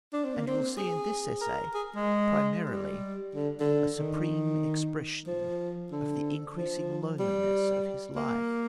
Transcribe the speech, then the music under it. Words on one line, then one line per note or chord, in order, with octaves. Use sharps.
And you will see in this essay, primarily, a supreme expression of the increasing loneliness of his life.
D4
C4
A#3
C4
G#4
A#4
G#4
G#3
G3
D3
D3
D#3
F3
D3
F3
G3
A#3